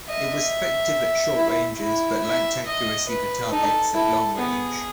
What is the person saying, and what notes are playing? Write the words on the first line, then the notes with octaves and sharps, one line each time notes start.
It was effective at short ranges, but lacked accuracy for targets at long range.
D#5 E5
E4
E4
E5
D#5
B4
D#4 A4
E4 A4
B3 G#4